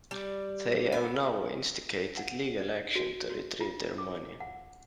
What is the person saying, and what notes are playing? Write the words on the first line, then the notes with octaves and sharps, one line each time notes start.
They have now instigated legal action to retrieve their money.
G3
B3
F#5
D5
F#4
F#4
F4
D6
F#5